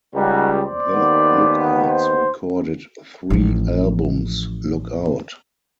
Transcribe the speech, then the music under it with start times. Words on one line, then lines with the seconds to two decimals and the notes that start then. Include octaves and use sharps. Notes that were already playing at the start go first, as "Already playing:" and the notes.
The Lookouts recorded three albums, Lookout!
0.14 C#2 G3 C#4 D#4 F#4
0.61 C5 D5
0.92 D#2 D#3 B3
1.88 C5
3.30 A1 F3